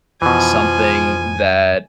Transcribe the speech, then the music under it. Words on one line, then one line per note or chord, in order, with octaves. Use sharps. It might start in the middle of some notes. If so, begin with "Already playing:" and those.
something that
F2 B2 E3 F3 G#5